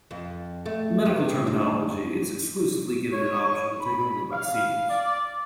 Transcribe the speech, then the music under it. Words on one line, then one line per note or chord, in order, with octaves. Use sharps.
Medical Terminology is exclusively given an option to take only by seniors.
F2
A3
G2
D2
C#5
B5
F5
D5